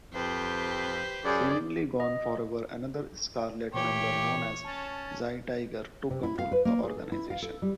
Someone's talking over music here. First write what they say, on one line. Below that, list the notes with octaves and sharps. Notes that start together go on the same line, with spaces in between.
Seemingly gone forever, another Scarlet member known as Xi-Tiger took control of the organization.
F2 G4 B4 C5
F#2 G#4 D5
D#5
A#2 E3 G4 C#5
C#4 A5
C3
E4
F5
B4
A#3
G#4
A4
E4
F5
A4
G3